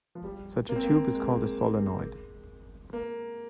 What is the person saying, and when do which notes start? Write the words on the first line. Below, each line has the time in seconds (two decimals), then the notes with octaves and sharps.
Such a tube is called a "Solenoid".
0.15 F3
0.24 G3
0.69 A#3
0.76 C4
0.83 A#3
1.14 G#3
2.93 A#3